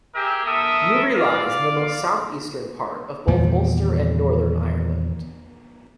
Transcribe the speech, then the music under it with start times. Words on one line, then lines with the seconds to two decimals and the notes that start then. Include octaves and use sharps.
Newry lies in the most south-eastern part of both Ulster and Northern Ireland.
0.14 G4 G#4 A#4 E5
0.45 A4 A#4 E5 D#6
1.15 D5 F5
3.27 E2 A#2 D#3 G3